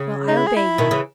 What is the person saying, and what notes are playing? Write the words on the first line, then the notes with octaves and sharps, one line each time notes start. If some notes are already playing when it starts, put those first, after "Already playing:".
"Well, I obey you."
Already playing: C#3
D#4
E4
G#4
E4
B2 D#3
C#3 E3